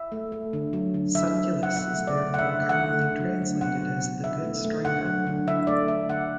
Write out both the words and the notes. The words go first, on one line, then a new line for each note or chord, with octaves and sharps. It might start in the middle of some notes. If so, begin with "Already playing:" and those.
"Sucellus" is therefore commonly translated as 'the good striker.
Already playing: E5
A3
A3
D3
F#3
D3
D3 E5
F#3
D3
F#5
B2 E5
A3
D5
A3
F#5
D3 E5
A3
F#5
A3
D3
F#3
D3
B2 F#5
F#3
B2
D3 E5
A3
A3
D3 F#5
F#3
D3
D3 E5
A3 D5
A3 E5
D3 F#5